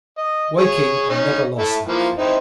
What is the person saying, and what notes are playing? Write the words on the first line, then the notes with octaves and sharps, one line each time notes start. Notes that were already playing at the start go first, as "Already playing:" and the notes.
Waking, I never lost that fear.
D#5
G#4 C#5 C#6
C#4 D#4
A3 E4 A4
E3 F3 A#3
C4 D#4 E4